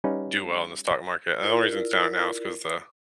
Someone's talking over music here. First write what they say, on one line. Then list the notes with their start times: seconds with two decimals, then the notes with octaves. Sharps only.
do well in the stock market, and the only reason it's down right now is 'cause the
0.04 G3 C#4 D#4 B4 F5
1.41 E4 F4 A#4 D5